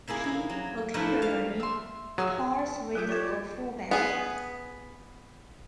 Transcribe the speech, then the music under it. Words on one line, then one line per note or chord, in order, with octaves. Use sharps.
He occasionally tours with a full band.
C3 A#3 E4 G#4
A#3
F#3
F3 A3 D4 E4 A#4 B4
F5
E5 C6
F#3 G#4 E5 F5
A6
F#3 F4 G#4 E5 G6
F4 G4 A4 C#5 D5
B3 G#4